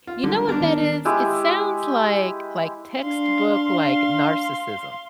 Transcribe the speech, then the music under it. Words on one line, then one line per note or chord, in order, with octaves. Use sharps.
you know what that is? It sounds like like textbook, like, narcissism,
F4
D3 G3
B3 D4 A#4
D#3 B3
G#3 E4 G4
D4 F5 C6